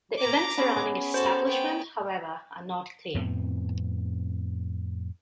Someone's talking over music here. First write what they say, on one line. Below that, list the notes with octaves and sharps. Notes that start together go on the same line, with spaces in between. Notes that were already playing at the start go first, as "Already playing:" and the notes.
The events surrounding its establishment, however, are not clear.
A#5 D6
B3 C#4 G#4
F#4 A4 C5
B3 G5
F2 A2 B3 C4